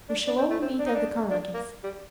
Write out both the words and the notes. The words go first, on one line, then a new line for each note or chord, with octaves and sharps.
We shall all meet at the Karagins'!
D4
D4
C4
A3
C4
D4
D#4
D4
D4
A#3
G3